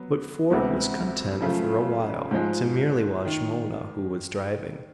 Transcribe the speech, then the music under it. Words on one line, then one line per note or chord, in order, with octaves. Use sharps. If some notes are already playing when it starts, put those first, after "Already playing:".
But Fort was content for a while to merely watch Mona, who was driving.
Already playing: F#3 B3
D2 C3 E3 G#3 B3
F#2 C#3 F3 A3
G#2 F3 G#3
D#3